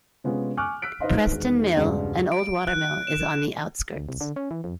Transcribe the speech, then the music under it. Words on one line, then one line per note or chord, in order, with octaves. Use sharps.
Preston Mill, an old watermill, is on the outskirts.
C3 G#3 B3 C#4 F4
G#5 C#6 D6 F6 F#6
E6 F#6 B6 D7
D#4 B4 C5 D#5 F5 C6
E1 D#3
E1 C#2 G2 G#3
D7
F#6
E7
D2
C2
D3
C#4
E3
F2